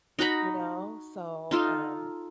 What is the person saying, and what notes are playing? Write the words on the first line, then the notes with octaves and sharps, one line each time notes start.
You know? So, um
D#4 F#4 A#5 B5
D#4 F4 A4